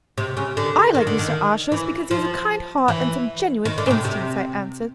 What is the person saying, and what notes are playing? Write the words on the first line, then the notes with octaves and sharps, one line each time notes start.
'I like Mr. Ashurst because he has a kind heart and some genuine instincts,' I answered.
C3
C#3
D3
D#3
D3
D#3
E3
F3
E3
D#3
D3
C#3
C3
C3